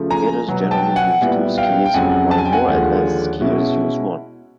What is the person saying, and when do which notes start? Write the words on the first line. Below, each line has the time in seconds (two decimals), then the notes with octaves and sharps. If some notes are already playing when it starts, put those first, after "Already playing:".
Beginners generally use two skis while more advanced skiers use one.
Already playing: C#3 F3 A3
0.10 G#5 A#5
0.47 B2 F#3 B3
0.71 G5 A5
0.96 F#5 G#5
1.21 A#2 G3 B3 E4
1.58 F5 G5
1.85 G5
1.94 F2 C#3 F#3 F#5 G#5
2.31 A5
2.38 G#5
2.45 G5
2.53 F#5 G#5
2.68 D#2 D3 F3 G#3
3.41 B2 G#3 C#4 E4